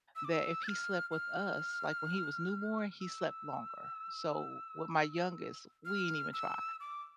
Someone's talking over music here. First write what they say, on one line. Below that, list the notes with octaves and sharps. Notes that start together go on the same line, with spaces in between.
that if he slept with us, like, when he was newborn, he slept longer. So, with my youngest, we didn't even try.
E6
D6
E6
A6
F6
F6
E6
F6
E6
D6